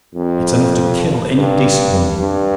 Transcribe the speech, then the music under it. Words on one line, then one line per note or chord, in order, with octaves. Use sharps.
It's enough to kill any decent woman.
F2
G2
G2